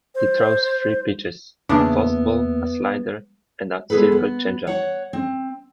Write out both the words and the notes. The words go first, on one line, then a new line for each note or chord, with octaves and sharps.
He throws three pitches: a fastball, a slider and a circle changeup.
C5
E2 C#3 A#3 B3 D4 E5
G#3 B3 G#4 A4 B4
B3
C#5 F#5
C4